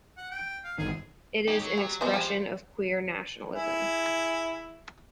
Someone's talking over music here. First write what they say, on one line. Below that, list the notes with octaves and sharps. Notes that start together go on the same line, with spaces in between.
It is an expression of queer nationalism.
F#5
G5
F5
G1 D#3 G#4
D#4 G4 G#4
F#3
G3
B3 F4 F#4 C5 D#5
G3 G#3
E4 G#4